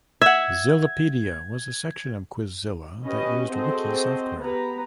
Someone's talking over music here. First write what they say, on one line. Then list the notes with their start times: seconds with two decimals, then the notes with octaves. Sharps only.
Zillapedia was a section of Quizilla that used wiki software.
0.22 E5 F#5 G#6
3.05 C#4 G4 B4 D#5
3.51 C4 F#4 G#4 A4 C5 D#5
4.41 B3 G4 B4 A#5